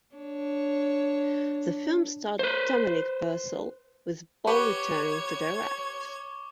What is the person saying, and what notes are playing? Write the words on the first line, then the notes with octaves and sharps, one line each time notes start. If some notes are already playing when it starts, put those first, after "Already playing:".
The film starred Dominic Purcell, with Boll returning to direct.
D4 C#5
B4 C5
G4 B4 C#5 F#5 C#6 D6 G#6 G7